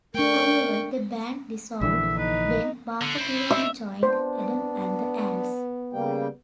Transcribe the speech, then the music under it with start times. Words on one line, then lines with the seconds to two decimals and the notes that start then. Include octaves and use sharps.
However, the band dissolved when Marco Pirroni joined Adam and the Ants.
0.14 A3 D4 A#4 G5 C#6
1.81 A#1 D3 E3 E5
2.18 D#4 B4
3.01 D3
3.18 C4 E4
3.51 E5
4.03 B3 D4 C5
5.93 C#3 G3 A#3 G5